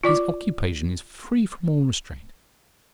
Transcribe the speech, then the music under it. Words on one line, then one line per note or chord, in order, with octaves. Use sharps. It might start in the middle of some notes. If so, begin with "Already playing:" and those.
His occupation is free from all restraint.
F4 D5 D6